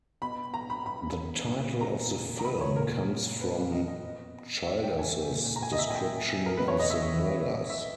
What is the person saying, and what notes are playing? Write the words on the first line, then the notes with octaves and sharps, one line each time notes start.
The title of the film comes from Childers's description of the murders.
B2 B5
A#5
B5
B5
A#2
A#5
A#5
B5
C#5
A#2 A#4
B4
D#5
D#5
B2
E5
G5
G#5
A#2
A#5
G#5
D#5
E5
G#5
G5
A#4
B2 B4
C#5
D#5
E5
E5